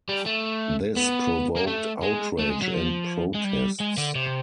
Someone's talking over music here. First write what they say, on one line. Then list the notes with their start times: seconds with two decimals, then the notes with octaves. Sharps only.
This provoked outrage and protests.
0.09 G3
0.26 A3
0.97 B3
1.56 A#3
1.67 A3
2.03 G#3
2.39 A3
2.50 G#3
2.62 F#3
2.74 F3
3.34 G#3
3.44 G3
3.80 G#3
3.97 D3
4.15 C3